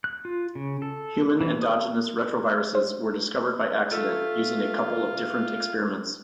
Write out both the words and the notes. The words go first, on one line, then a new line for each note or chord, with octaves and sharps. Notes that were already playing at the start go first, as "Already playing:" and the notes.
Human endogenous retroviruses were discovered by accident using a couple of different experiments.
F#6
F4
C#3
A4
E3
D#6
C5
A3 F4 E5